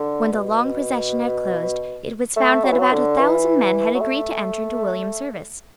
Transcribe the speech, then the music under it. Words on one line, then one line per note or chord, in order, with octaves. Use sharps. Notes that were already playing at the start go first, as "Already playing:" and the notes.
When the long procession had closed, it was found that about a thousand men had agreed to enter into William's service.
Already playing: D3
B2
A3
F#3
E3
F#3
D3
E3
F#3
A3